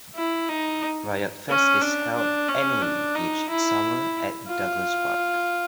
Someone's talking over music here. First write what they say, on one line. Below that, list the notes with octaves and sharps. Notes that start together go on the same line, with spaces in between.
Riot Fest is held annually each summer at Douglass Park.
E4
D#4
C#4
D4
D4
C#4
D4
D#4
E4
F4